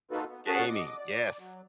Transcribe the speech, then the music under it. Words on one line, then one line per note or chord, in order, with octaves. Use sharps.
Gaming. Yes.
A#3 D#4 F4 F#4 A4 B4
B3
C#4 F#4 G#4 F#5 A5
D#5 D6
D5
F#3